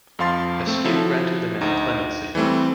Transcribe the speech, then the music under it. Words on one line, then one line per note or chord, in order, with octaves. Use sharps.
Askew granted the men clemency.
F2 F3 F5 C6 A6
A3 C4
F3 F#3 E4 A4
D2 D#4
E3 G3 A3 C4